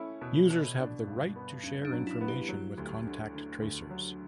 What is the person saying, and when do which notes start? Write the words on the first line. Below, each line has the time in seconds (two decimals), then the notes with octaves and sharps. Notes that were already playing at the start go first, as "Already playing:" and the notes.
Users have the right to share information with contact tracers.
Already playing: A3 C#4 E4
0.21 B2
0.50 B2
0.79 D4
1.07 G2
1.36 B3
1.64 G2 C#4
1.85 D4
1.92 F#3
2.07 E4
2.21 B3
2.28 G4
2.49 F#3
2.78 D2
3.05 D3
3.35 D3
3.62 D2
3.90 F#3